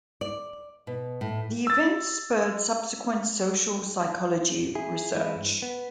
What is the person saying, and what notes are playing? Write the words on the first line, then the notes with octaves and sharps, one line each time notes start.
The event spurred subsequent social psychology research.
D5
B2
A2
E6 A6
E4 G#4
E3 G#3 C4 E4
G2
B3